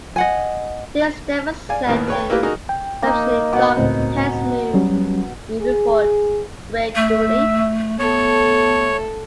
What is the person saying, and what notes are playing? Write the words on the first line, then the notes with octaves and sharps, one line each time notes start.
These demos set an exceptionally dark, tense mood, even for Greg Dulli.
D#5 F#5 G#5
D5 F5 G#5
A1 D#2 D#3 B3
B4 C#5 G5
A#3 E4 F4 G4 B4
D#4 F#4 G#4 A#4
G5
A#3 D#4
B2 F#5 D6
C#2 A2 C4
F#3 G3 C#4
G#4
A3 E5
A3 B3 A4 C#5